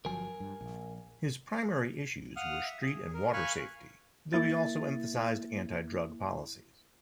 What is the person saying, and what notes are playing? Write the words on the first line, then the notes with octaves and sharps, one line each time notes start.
His primary issues were street and water safety, though he also emphasized anti-drug policies.
G1 F3 F#3 A#4 G#5
G2
A#1
F5 F#5 D#6 F6
E5
G#4
A#4
F5 G#5 B5 C#6 F#6
A#3 E4 A6